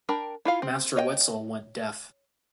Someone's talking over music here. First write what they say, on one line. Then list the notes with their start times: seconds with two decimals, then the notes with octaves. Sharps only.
Master Wetzel went deaf.
0.09 D4 A#4 G5 B5
0.45 E4 F4 F5
0.62 C4
0.96 C#5 D#5 F5 G5